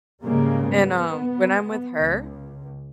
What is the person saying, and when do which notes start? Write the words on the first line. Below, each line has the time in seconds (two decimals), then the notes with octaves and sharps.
And, um, when I'm with her,
0.23 G#2 C#3 G3 G#3 A#3
0.72 B3
1.98 C#2